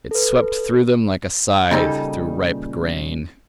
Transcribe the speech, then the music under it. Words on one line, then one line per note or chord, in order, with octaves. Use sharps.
It swept through them like a scythe through ripe grain.
A4 B4
A#2 C#3 G3 D#4 A4